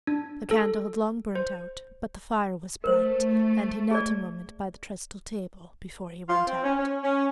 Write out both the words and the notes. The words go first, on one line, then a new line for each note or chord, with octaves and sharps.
The candle had long burnt out, but the fire was bright, and he knelt a moment by the trestle-table before he went out.
D4
A4
C5
A3 A#4 C5
G#4 D5
F4
C4
C#4
C#4
C#4